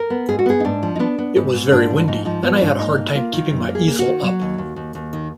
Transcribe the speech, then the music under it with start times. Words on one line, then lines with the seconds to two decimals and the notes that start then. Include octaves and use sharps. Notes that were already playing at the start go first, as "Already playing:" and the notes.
It was very windy and I had a hard time keeping my easel up.
Already playing: A#4
0.10 B3
0.29 G#2 G#4
0.39 F#4
0.46 B3 G#4
0.60 D#4
0.65 G#2 D4
0.83 F3
0.96 D#4
0.99 B3 D4
1.18 B3
1.36 G#2 B3
1.53 G#2
1.71 G#2 D4
1.90 F3
2.08 G#2 D#4
2.25 F3 D#4
2.43 G#2 B3
2.61 G#2 D4
2.79 A#3 D#4
2.98 A#3
3.15 A#3 F4
3.33 D#3
3.51 F#2
3.69 A#3
3.75 G#4
3.87 A#3
3.99 F#4
4.06 D#3
4.23 F#3
4.41 D#2
4.58 D#2
4.76 D#2
4.95 D#2
5.13 D#3